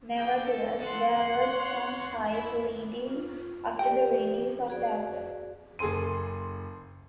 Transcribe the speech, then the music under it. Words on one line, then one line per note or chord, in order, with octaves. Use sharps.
Nevertheless, there was some hype leading up to the release of the album.
G#4 D5 G5
A4
F#5 C6
C#5
E4
F4
G4 A#4 D5 G5
F#4 G#4 D5
F#1 G#4 A4 C6 D#7